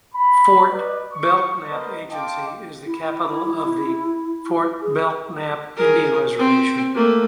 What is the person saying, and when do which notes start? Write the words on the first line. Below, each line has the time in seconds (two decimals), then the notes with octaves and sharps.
Fort Belknap Agency is the capital of the Fort Belknap Indian Reservation.
0.15 B5
0.68 B4 D5 D#5
1.12 C#6
1.69 B3 A#4 C5 D#5
2.11 D#5 F5 G5 A5 C6 D6
2.86 E4
4.82 G#4
5.77 G#4 A#4
6.39 C4
6.95 A3 A#3